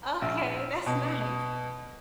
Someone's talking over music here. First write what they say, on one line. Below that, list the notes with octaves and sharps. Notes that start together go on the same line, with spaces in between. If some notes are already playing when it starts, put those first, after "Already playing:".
Okay, that's nice.
A#1
B2